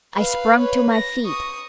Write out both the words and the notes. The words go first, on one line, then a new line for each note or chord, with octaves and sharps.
I sprung to my feet.
B4 F5
B4 C#5
A#6
C#6 D#6